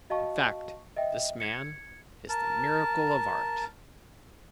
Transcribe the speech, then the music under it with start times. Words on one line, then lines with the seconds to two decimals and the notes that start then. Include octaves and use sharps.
In fact, this man is the miracle of art.
0.10 F#4 D#5 F5 A5 C#6
0.97 D#5 E5 G5
1.40 G#6 C#7
2.29 A#4 A5